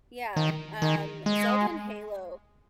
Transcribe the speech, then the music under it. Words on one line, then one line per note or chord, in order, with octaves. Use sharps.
Yeah, um, Zelda and Halo
D#3
D#3
G#3